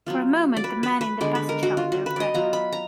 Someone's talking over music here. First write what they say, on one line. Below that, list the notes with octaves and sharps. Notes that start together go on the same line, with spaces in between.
For a moment the men in the passage held their breath.
F#3 B3 F4
D5
B4
B4
B4
D3 G#3 B3 D5
B4
A#4
F#4
F4
F#4
B4
D5 D#5
F#3 B3 F4 A#5
B5
A#5